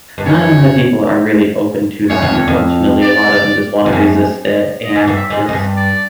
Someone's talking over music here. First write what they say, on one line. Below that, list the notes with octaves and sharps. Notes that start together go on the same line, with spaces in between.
not a lot of people are really open to that, unfortunately, a lot of them just wanna resist it, and just
G2
F#2 C#5
F#2 C#5
F2
E2
F2
D5
F2
F#2
D#5
G#2
G2
E5
G#2
F#2 D#5
G2
D5